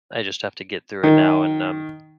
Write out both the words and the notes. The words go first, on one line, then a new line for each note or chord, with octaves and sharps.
I just have to get through it now and, um,
D#3